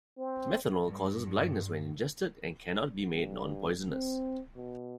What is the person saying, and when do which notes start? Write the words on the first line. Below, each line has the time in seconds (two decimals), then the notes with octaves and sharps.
Methanol causes blindness when ingested, and cannot be made non-poisonous.
0.18 C4
0.86 G2
3.13 G2
3.89 C4
4.56 B2